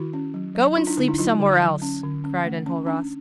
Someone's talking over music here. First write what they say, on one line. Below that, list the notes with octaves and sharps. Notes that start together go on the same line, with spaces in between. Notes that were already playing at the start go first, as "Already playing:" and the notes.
"Go and sleep somewhere else," cried Enjolras.
Already playing: D#3 E4 F#4
C#4
F#3
F#3
D4 D#4 F4
D4 E4
D3 D#4
D4 E4
F#3 D#4 F4
D3
F#3
C#4
D3
C#4
A3
C#4
C#4 D4